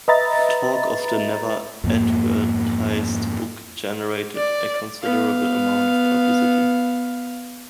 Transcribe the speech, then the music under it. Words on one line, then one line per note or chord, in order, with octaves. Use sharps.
Talk of the "Never advertised" book generated a considerable amount of publicity.
B4 D#5 E5 A#5 B5 A6
F2 G#2 A#3
D5
B3 F5